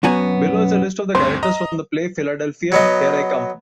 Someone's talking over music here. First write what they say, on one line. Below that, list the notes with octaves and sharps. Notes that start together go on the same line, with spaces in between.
Below is a list of the characters from the play Philadelphia, Here I Come!
F#2 B2 B3 F#4 G#5 A#5
D2 G2 C4 C5
D#5 A#5
F#3 B3 D#5